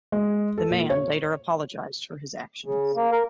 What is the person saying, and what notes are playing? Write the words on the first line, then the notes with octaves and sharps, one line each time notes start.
The man later apologised for his actions.
G#3
A4
A#2
C#5
C#3
A#3
A#4